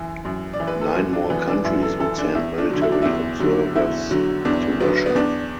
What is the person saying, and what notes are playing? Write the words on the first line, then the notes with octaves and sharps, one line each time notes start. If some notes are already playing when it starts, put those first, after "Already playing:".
Nine more countries would send military observers to Russia.
Already playing: F#2 E3
F#2
D5
E3
B4
A4
F#2 F#4
D4
E3 B3
D4
F#2 E4
A4
E3 A4
D4
E2 E4
D4
D3 F#3
E4
D4
E2 E4
D3 F#3
E2 E4
D3 F#3
E2 D4
D3 F#3 B3
B3
E2 D4